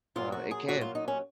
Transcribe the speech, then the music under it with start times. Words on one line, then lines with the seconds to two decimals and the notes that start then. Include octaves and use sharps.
Uh, it can.
0.16 A#2 F#3 F4
0.32 F#4
0.51 G#4
0.68 A#2 F#3 F#4
0.81 F4
0.95 D#4
1.08 C#4